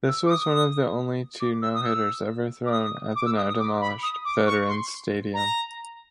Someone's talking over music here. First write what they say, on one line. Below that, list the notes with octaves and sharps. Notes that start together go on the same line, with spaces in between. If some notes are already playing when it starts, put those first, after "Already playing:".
This was one of only two no-hitters ever thrown at the now-demolished Veterans Stadium.
E6
D6
D#6
D6
E6
D#6
E6
D6
D#6
D6
E6
D#6
D#6
D6
B5
D#6
D6
C#6
C6
A#5